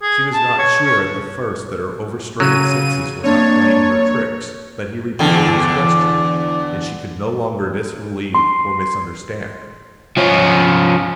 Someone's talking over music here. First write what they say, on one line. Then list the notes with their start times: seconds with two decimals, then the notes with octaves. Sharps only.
She was not sure at the first that her overstrained senses were not playing her tricks; but he repeated his question, and she could no longer disbelieve or misunderstand.
0.02 G#4
0.33 A5
0.59 C#5
0.85 C#5
2.40 C#3 F#3 D#7
3.24 A#3 C4 D4 C#5
5.19 E2 D3
8.35 C6
10.18 F3 C#4